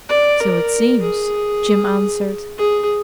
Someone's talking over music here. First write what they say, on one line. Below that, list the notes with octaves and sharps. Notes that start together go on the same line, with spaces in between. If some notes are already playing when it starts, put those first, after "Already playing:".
"So it seems," Jim answered.
D5
A#4
G#4
G#4